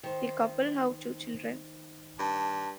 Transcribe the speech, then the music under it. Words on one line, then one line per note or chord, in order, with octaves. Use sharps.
The couple have two children.
D#3 C5
G2 A5